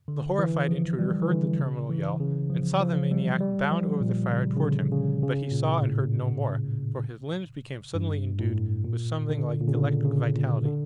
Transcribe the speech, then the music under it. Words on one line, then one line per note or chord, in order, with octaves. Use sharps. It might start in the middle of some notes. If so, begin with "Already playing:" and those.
The horrified intruder heard the terminal yell, and saw the maniac bound over the fire towards him, but he saw and heard no more, for his limbs became suddenly endued with something like electric vitality.
D3
E3
F3
G3
E3
D3
C#3
E3
C#3
F3
F3
G3
G3
F3
A#2
C#3
C#3
D3
C#3
C#3
A#2
A2
G2
A2
A#2
D3
A#2
C#3
D3
C#3
A#2
D3